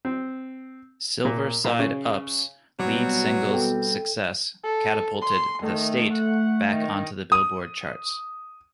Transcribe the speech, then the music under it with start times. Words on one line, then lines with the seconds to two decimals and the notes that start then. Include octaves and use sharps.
"Silver Side Up"'s lead single's success catapulted "The State" back onto the Billboard charts.
0.05 C4
1.25 A#2
1.64 A#2
1.79 C#3
2.80 B2 F#3 G3 B3 C4
3.51 A4 G5
4.64 A4
5.22 C6
5.63 D#3 A3
6.13 F#5
6.69 D#3
7.32 D#6